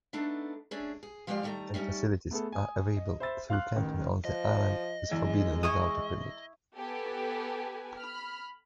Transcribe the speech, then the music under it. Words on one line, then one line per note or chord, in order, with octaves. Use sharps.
Camping facilities are available, though camping on the island is forbidden without a permit.
A3 B3 D4 D#4 A4
A3 C#4 D4 G#4
G#4
F3 G#3 G4 A4 D5 F5
D#3 G3 A3 F#5 A#5
G3 A3 C#4 D#4
A3 B3 G#4 A4
G#5 D#6
D#5
C5 E5 B5 E6 A6
F5 C6 F6 F#6
A1 D#3
F3 D#5
E2 G#3
E4 C#6 D#6
B3 G4 A4 B4 G#5
B5 F6